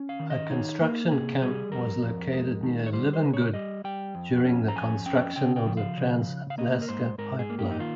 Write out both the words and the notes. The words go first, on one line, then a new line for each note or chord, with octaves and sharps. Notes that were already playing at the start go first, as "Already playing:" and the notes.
A construction camp was located near Livengood during the construction of the Trans-Alaska Pipeline.
Already playing: C#4
F5
D#3
D#5
D#4 C#5
A#3 A#4
C3 G#4
G3 G#4
F2 A#4
F2
G#3
D#3
C#5
G3 C5
C5
C#3
C#5
G3 D#5
G3 G5
F2
C#4
A#5
F2 G#5
C#4 G5
C#3 G5
G5
F3
F5
C#3
C#3
F5
A#3 D#5
A#4
G#2 C5
G#2 A#4
G#4
A#3
G4
D#4
D#3 F4